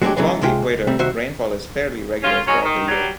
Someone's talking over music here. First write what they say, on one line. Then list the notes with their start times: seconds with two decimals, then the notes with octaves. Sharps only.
Along the Equator, rainfall is fairly regular throughout the year.
0.02 F#3 G#3 A3 B3 D4 G4
0.17 C#3 E3 F#3 G#3 B3
0.41 C#2 C3 G#3 F4 G5
0.62 C#2
0.87 C3 G3 A3 C4
0.99 C2 D#3 F#4 C5 E5
2.23 C#4 F4
2.46 F#3 G#3 C#4
2.63 D#3
2.89 F#3 G3